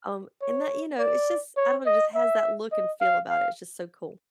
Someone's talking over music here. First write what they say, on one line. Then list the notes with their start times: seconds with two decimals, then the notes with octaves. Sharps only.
Um, and that, you know, it's just I don't know, it just has that look and feel about it, it's just so cool.
0.42 C#5
0.99 D5
1.57 C#5
1.86 D#5
2.15 E5
2.72 D#5
3.01 F5
3.29 F5